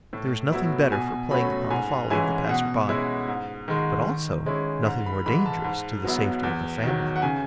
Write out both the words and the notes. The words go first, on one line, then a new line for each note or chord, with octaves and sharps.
There is nothing better for playing upon the folly of the passer-by, but also nothing more dangerous to the safety of the family.
A2
F#3 B3 E4
B2 G#5
F#3 A3 C#4 B5
G#2 G#5
E3 G#3 C#4 E4 G#5
B2 F#5
G#3 C#4 E4
G#2
D#3 G#3
D#3
G#3 C#4 E4
G#2
B5
E3 G#3 B5
A5
G#2
F#3 B3 E4
E2
D#3 F#3
F#5
C#3 G#5